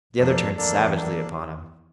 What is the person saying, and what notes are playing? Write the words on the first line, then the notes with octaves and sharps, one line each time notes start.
The other turned savagely upon him.
F2 F3 A#3 D4 A4 D5
E2 E3 A#3 D4 A4 D5
A#3 D4 A4 D5